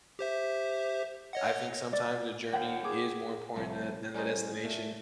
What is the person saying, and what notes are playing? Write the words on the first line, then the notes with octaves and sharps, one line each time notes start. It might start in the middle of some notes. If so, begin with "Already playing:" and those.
I think sometimes the journey is more important than than the destination,
G4 C5 E5
C#5 D#5 F#5
D5
D#2 F#5 G5 G6
G#4 D6
C2 F3 A3
G3 C#4 A#4 C5 D#5
A#2 A3